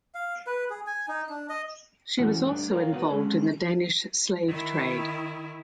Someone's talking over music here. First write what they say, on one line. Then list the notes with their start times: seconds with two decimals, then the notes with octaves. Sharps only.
She was also involved in the Danish slave trade.
0.15 F5
0.47 B4
0.70 G#4
0.87 G#5
1.08 D#4
1.29 D4
1.49 D#5
2.19 A2 E3 C#4 F#4
2.45 G3 A3 D4
2.71 A#4 C#5 F5
2.92 B3 D#4 F#4 B4
3.08 G#3 C#4 G#4 A4
4.48 D#3 E4